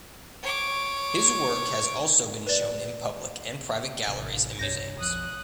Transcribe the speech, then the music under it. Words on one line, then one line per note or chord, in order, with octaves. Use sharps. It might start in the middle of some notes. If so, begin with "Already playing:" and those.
His work has also been shown in public and private galleries and museums.
C#5 D6
B4 D5
A1 C3
C2 G2 C3 C#5 G6 A#6
B1 F2 F3 D#6 F#6